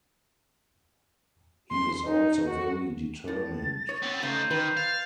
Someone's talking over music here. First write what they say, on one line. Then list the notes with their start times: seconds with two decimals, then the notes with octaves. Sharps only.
He is also very determined.
1.71 C6
2.06 D#4
2.48 F#4
3.28 A2 A6
3.89 C#5
4.02 B3 C4
4.23 C#3 A3 D#4 C5
4.51 D#3 B4
4.77 F5 A6